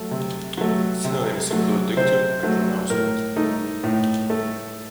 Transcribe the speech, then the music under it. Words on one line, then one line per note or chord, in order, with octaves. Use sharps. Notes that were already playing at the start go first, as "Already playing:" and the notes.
Synonyms include dictum and pronouncement.
Already playing: F#3 A3
C3
F#3 A3
C3
F#3 A3
C3 C5
F#3 A3
A2 A#4
A3 D#4
A2
A3